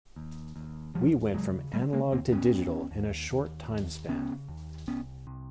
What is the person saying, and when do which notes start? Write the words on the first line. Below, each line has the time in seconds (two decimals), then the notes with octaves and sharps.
We went from analogue to digital in a short timespan.
0.16 D#2
0.56 D#2
0.94 D#2 F3 G3
1.34 C#3 F#3 G#3
1.73 D3 G3 A3
1.93 G#3 A#3
2.12 D#2 A#3 C4
2.32 B3 C#4
2.52 D#2
2.91 D#2
3.30 D#2
3.70 D#2
4.08 C#3 B3 C#4
4.48 D#2
4.87 C2 B3 C#4
5.27 C3